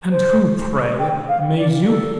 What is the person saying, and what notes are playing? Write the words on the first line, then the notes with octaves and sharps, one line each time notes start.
"And who, pray, may you be?"
C5
G5
F5
D5
A4